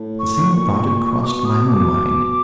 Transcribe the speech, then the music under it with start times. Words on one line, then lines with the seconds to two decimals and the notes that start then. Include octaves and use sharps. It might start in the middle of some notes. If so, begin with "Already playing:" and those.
The same thought had crossed my own mind.
Already playing: A2
0.19 C#6
0.54 A#2
1.22 B2 D6
1.26 C#6
1.45 D#6
1.68 D6